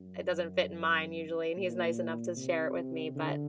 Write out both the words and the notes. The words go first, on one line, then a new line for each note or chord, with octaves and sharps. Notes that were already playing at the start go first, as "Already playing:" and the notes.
it doesn't fit in mine, usually, and he's nice enough to share it with me, but
Already playing: F#2
A#2
C3
D3